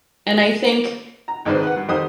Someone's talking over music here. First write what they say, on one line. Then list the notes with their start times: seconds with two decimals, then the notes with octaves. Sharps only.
and I think
1.28 A#5
1.45 G#1 D#3 G#3 D4 B4 C5
1.63 B4 F#5
1.76 G2
1.88 F2 D#3 G4 C5 F#5 D#6